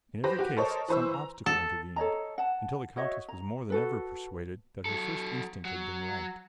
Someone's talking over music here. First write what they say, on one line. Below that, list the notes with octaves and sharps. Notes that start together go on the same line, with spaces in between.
In every case some obstacle intervened, until the Countess was more than ever persuaded that her first instinct had been right.
G4 B4 C5 A#6
F#4 G4
A4 A#4 C5 C#5 D#5 A5
E3 B4 C5 C#6 E6
A#5
A4
A4 C#5 D#5 A#5
F#5 A5
F#4 C#5 D#5 E5
A#5
F#4 A4 B4
F#3 A4
F#3